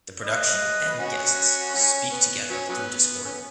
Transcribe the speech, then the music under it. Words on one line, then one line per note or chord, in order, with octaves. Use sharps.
The production and guests speak together through Discord.
B4 D#5
C#4 F#4
F#3 C#4
B3
F#3 C#4
F#3 B3
C#4
B3